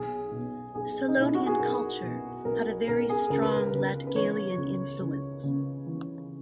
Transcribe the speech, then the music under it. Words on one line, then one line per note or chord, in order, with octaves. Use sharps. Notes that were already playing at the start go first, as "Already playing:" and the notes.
Selonian culture had a very strong Latgalian influence.
Already playing: B1 G#4
B2
B1 G#4
D#4
B2 E4
F#4
G#4
B1 A#4
B2
B1 A#4
B2 A#4
G#4
C#2 A#4
B4
A#4
B4
C#3
A#4
B4
E3 C#5
C#2
C#2
C#3
E3